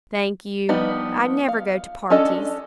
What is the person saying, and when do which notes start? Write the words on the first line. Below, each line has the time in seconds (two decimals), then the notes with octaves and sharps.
'Thank you, I never go to parties.'
0.69 F3 G3 B3 D#4
1.48 F5
2.10 C#4 D4 A4 D#5